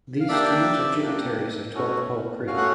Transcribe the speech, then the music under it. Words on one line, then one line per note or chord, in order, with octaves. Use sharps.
These streams are tributaries of Twelvepole Creek.
F5
A#3 D4 G4 D5 E5
A#3 D4 G4
A3 C#4 F#4
A3 C#4 F#4 F5
F#5